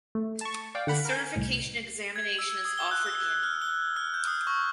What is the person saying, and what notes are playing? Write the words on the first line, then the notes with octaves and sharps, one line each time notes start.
The certification examination is offered annually.
A3
A5 C#6
D5 F5 G5
D3 F#5 B5
A#4 G#5
C2 A2
G#6
E6
D#6
G7
F#6
E6
F6
G7
F6
G6
D#6
C#6